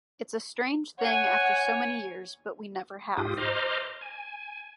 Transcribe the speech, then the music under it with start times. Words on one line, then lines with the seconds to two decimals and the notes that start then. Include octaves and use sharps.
It's a strange thing after so many years but we never have.
0.99 C#5 F#5 G#5
3.17 G#2 F4 G4 D#6
3.37 C5 D#5 A#5 C6 D6 F6
4.01 G#5